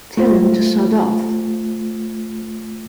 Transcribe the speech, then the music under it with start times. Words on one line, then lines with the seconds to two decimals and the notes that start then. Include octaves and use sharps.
Tell him to Sod Off!
0.17 A3 F4 C5